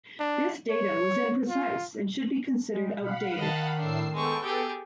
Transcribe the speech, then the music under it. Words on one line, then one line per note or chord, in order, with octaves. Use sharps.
This datum was imprecise and should be considered outdated.
D4
C#5
F4
G#3
B2 F5 F#5 B5
D#3 D#5 A5
A2 D4 E6 C7
G#3 B3 A4 G5 C#6
G4 G#4